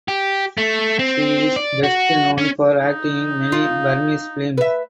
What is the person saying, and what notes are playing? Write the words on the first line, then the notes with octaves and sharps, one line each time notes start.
She is best known for acting in many Burmese films.
G4
A3
C4
D5
F#4
C#4
D#4
F4
B4 E5